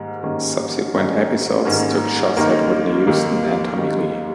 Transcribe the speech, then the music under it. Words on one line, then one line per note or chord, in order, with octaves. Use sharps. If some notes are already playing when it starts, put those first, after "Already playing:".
Subsequent episodes took shots at Whitney Houston and Tommy Lee.
Already playing: G#2 D#3 G3 A#3
G#2 D#3 G3 A#3 C#4
G#2 D#3 G3 A#3 C#4
G#2 D#3 G3 A#3 C#4
D#2 D#3 G3 A#3 D#4
D#2 D#3 G3 A#3 D#4
D#2 D#3 G3 A#3 D#4